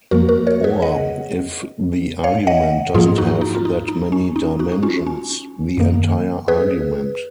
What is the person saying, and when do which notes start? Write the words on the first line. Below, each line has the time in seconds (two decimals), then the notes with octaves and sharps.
Or, if the argument doesn't have that many dimensions, the entire argument.
0.11 F2 F3 A#3 F#4 A#4
0.29 F#4 A#4
0.47 A#4 C#5
0.64 G#4 B4
0.82 D#5 F#5
2.23 C#5 F5
2.47 D#5 F#5
2.94 G#2 F3 A#3 F4 G#4
3.18 D#4 F#4
3.41 D#4
3.55 F4
3.65 D#4
3.88 D#4
4.12 C#4
4.36 D#4
4.59 D#4 F#4
4.72 F#4
4.83 C#4 F4
5.07 C#4
5.77 F#2 D#3 A#3
6.48 G#4 B4